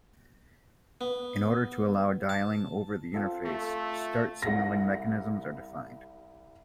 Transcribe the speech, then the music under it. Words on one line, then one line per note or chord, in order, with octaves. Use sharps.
In order to allow dialing over the interface, "start" signaling mechanisms are defined.
B3
A5
C4 F4 A4
A3
C2 F#5 A#6